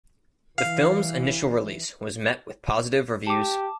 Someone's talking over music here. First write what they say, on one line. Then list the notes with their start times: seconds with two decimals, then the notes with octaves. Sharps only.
The film's initial release was met with positive reviews.
0.58 E3 F5
3.27 G4 A5 D6